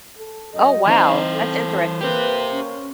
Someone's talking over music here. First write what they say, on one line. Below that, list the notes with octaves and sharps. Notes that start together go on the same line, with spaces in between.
Oh, wow, that's interesting.
A4
F#2 D#5
E3 C4 D#4 C5
A4
A#3 G4 B4 C5
C#4